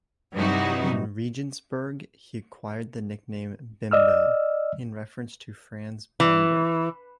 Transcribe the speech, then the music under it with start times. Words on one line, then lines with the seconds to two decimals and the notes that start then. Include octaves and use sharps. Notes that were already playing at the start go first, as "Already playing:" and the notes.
In Regensburg he acquired the nickname "Bimbo" in reference to Franz Binder.
0.35 G2 C3 F#3 D#4 E4 F#4
3.91 D5 D#5 E6 F6
6.20 E3